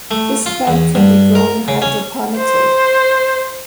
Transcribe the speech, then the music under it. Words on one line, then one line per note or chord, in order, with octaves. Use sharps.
This plant can be grown hydroponically.
A3
F4
E2
G2
A#4
C#3
C#4
C5